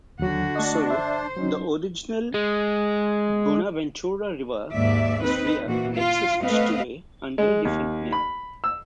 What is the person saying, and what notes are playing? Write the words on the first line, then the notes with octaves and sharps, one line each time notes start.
So, the original Buenaventura River is real and exists today under a different name.
D#2 D3 F#3 F#4
A3 D4 D#5
C5 E5
F#3 C#4 D#4
G#3
D#2 G#2 D5 E5
C4 D#4 B4
A#2 E3 F#4
F4
A3 B3 C4 B4 D#5 F5
G#3
D#2
B5
E6